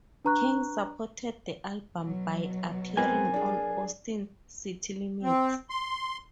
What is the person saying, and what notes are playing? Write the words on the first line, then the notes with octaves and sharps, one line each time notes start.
King supported the album by appearing on "Austin City Limits".
D4 B4 A#5 C#6 F#6
B2 F#3
B3 C4 A#4 G#5
D4 G#4
C4
C6